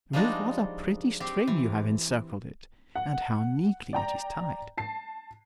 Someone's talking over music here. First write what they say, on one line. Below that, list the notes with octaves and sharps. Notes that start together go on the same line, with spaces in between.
'With what a pretty string you have encircled it,--and how neatly it is tied!
F3 G3 G#3 D4 D#4 F#4
C4 G4
E3
F#5
D5 G5 A#5
A5 C7